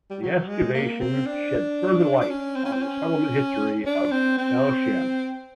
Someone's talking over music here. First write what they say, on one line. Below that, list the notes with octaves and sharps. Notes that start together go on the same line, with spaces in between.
The excavation shed further light on the settlement history of Tel Shem.
G3
F#3
G#3
A#3
C4
D4
D4
C#4
C4
C#4
C4
C#4
D4
C4
C4